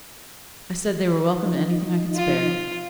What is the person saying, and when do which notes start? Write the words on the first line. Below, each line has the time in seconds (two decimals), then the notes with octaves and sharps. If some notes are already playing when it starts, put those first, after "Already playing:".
I said they were welcome to anything I could spare.
1.45 F3 D#4
2.16 F4